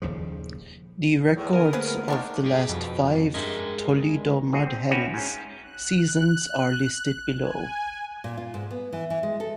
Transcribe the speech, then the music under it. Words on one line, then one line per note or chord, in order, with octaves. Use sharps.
The records of the last five Toledo Mud Hens seasons are listed below.
D#1 D#2 C#3 F3
E2 A2
D3 B3 A#4 G#5 D#7
A3 A#3 G#4 B4 C5 F#5
D#3 G#3 D4 D5 F#5 A#5
G2 G4 G#4
F2 B2
G2 G#3 A#4 E5 G#5
A#2 F#4 G#4
C4
C4 C#4 E4 F#4 B4 C#5
G#2 C#4
F#6
G#5
A#2
F4
G#2
B3
E3
E3
G#3
A4